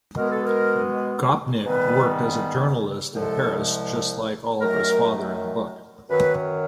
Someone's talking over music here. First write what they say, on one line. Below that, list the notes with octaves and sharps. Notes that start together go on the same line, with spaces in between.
Gopnik worked as a journalist in Paris just like Oliver's father in the book.
B2 G#3 B3 A#4
A4
A#4
G#2 D#3 G3 B3 B4
C2 C3 F3 G#3 A4
F#2 D#3 F#3 A3 A#4
F#2 D#3 F#3 B4